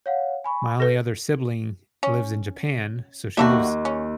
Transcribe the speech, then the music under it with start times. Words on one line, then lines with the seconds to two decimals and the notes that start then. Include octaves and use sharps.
my only other sibling lives in Japan, so, she lives
0.06 C#5 F5 F#5
0.44 G#5 B5 C#6
0.80 A4 B4 A#6
2.03 C#4
3.37 D#2 G3 A3 F#4
3.85 C#4